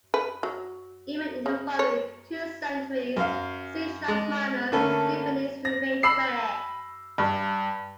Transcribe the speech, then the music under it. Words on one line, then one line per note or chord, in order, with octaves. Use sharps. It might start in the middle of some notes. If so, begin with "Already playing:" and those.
Even in the following two centuries, C-sharp minor symphonies remained rare.
B4
F#3
C#3
C#5
F#2 F5
G#3
D3 A3 A#3 C#4 A4 B4
A#6
B5 E6 C7
G2